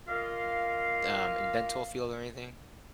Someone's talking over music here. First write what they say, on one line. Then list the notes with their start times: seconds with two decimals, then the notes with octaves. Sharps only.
d um, in dental field or anything?
0.08 A#3 F4 D#5 F5